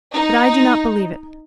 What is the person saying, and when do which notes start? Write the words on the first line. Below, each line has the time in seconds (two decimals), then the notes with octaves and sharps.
But I do not believe it.
0.13 D#4